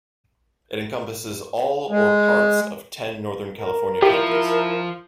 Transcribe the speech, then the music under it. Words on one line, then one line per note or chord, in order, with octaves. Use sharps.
It encompasses all or parts of ten Northern California counties.
G#3
A#4
F3 E4 G4